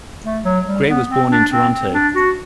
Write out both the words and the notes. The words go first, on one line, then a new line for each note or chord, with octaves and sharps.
Gray was born in Toronto.
A3
F#3
G3
B3
C4
D4
C4
C4
D4
F#4